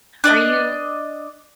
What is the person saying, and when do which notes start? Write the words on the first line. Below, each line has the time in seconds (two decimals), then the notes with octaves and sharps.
Are you
0.24 D4 D5 D#5